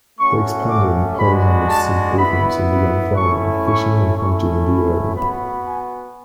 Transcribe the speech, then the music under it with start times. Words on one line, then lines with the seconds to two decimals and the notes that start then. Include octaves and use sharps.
They expanded Paulhamus' improvements and began farming, fishing and hunting in the area.
0.19 A3 C#4 F#4 C#6
0.68 D6
1.18 G#3 D4 F#4 B5
1.67 A5
2.17 B3 E4 B5
3.16 A3 C#4 E4 C#6
3.66 C#6
4.16 A3 C#4 E4 C#6
4.66 B5
5.14 B3 F#4 B5
5.65 G#5